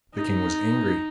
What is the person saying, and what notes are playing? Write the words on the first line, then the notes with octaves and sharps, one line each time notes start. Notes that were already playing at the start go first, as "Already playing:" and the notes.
The king was angry.
D#4